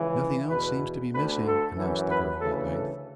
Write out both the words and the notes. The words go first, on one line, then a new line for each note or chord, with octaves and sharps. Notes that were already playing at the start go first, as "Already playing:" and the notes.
"Nothing else seems to be missing," announced the girl, at length.
Already playing: C#2 C#3 E3
E2 B2 B4
D2 D3 B4
A4
F#2 E3
B4
D2 C#3 E3 A4
A4